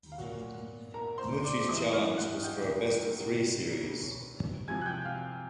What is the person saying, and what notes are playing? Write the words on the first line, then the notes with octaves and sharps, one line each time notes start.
Mutrie's challenge was for a best-of-three series.
F5
A#2 F#3 F#4 F#5
A#4 A#5
C5 C6
D5 D6
D6
A2 E3 G3 D#5 D#6
F5 F6
F#5 F#6
G5 G6
C3 D#3 G3
C3 F3 G#5 G#6
F#6
G5 G6
F5 F6